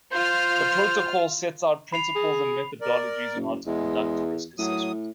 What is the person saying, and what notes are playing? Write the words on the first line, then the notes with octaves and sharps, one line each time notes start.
The Protocol sets out principles and methodologies on how to conduct a risk assessment.
F4 C5 F6
B5 C7 F7
G#4
A#4 D5
F#1
E2 G#3
A2 F#3 D#6